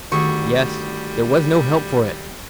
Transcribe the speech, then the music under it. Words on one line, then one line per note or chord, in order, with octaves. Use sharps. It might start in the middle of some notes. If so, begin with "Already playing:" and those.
Yes! there was no help for it.
D2 D#3 G3 G#4 C#6